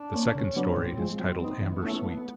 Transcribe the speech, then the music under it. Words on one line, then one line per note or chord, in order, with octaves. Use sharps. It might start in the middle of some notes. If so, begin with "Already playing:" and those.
The second story is titled Amber Sweet.
Already playing: D4
A#3 C#4
C#3 C#4
F#3 B3 D4
A2 C4
F3 G#3
F#3 C4
B3 D#4
E3 B3
A3 C#4 E4
A3